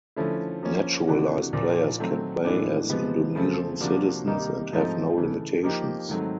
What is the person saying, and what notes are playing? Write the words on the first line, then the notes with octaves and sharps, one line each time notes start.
Naturalized players can play as Indonesian citizens and have no limitations.
D3 F3 A3 C#4 E4
F3 A#3 C#4
C3 E3 A3 D4 F#4
A#2 F3 A#3 D4
D#3 F#3 A3 C4 D#4
A2 E3 G#3 B3 D4
C3 F3 G#3 B3
C#3 F3 A3 C4
C3 F3 A#3 D4 F#4
C3 D#3 G3 A#3 D#4
G#2 F3 A3 C4 D#4
C#3 E3 A3
F3 A#3 D#4 G4
G#2 D#3 F#3 A3 C4